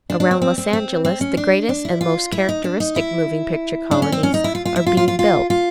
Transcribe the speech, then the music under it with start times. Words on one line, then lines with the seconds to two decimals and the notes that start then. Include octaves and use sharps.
Around Los Angeles the greatest and most characteristic moving picture colonies are being built.
0.10 D4
0.20 D4
0.31 C4
0.42 C4
0.58 C4
0.73 C4
1.05 C4
1.21 C#4
1.37 D4
1.69 D4
1.85 E4
2.01 F4
2.32 E4
2.49 D#4
2.64 D4
2.80 D#4
2.96 E4
3.91 D4
4.02 C#4
4.12 C4
4.23 C#4
4.34 D#4
4.44 E4
4.55 F4
4.65 F4
4.76 E4
4.87 F4
4.97 F4
5.08 F4
5.19 F4
5.50 F4